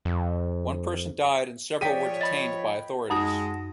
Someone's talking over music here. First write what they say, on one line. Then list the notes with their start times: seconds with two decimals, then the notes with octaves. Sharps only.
One person died and several were detained by authorities.
0.05 F2
1.81 F3 G#4 C#5 D5 G5 B6 D#7
2.21 D#5 B5 A6
3.10 F#2 G#3 D#4 F#5 A5 D#6 A#6